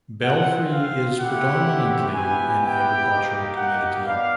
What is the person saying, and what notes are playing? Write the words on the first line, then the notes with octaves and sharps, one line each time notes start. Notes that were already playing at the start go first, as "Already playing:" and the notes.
Belfry is predominantly an agricultural community.
C4 F4 F#5
F5
A3 C4 E4 G4 F#5
B3 E4 G4 G#5
G5
A#3 D#4 G4
F#5
B3 D4 F5